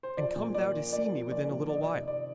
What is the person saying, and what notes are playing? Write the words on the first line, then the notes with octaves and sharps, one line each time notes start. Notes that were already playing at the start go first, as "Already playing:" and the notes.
And come thou to see me within a little while.'
C5
F3 D5
A#2
A#3 D5
A#3
A#3 D5
F3
F3 D5
A#2
D#3 D5
D#5
C3 D5
C3 D5